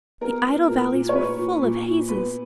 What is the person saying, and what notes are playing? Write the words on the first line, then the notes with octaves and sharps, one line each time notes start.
The idle valleys were full of hazes.
B3 A#4
B3
A#2 A#4
A#2
C#5
A#2 B4
A#2
A#2
A#2
B3 B4